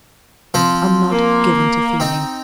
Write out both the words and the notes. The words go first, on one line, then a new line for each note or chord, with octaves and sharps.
I'm not given to feelings.
F3 C4 C5
A#3
C4 D#4